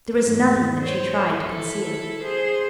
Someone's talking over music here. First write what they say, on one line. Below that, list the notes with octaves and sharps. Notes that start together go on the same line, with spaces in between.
There was nothing that she tried to conceal.
E2 G#2
C5 C#5
E4 A4
G#4 C5